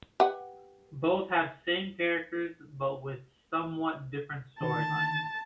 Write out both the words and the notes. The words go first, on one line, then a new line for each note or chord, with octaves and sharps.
Both have same characters, but with somewhat different storylines.
G4 B4 F#5
D3 D#3 A5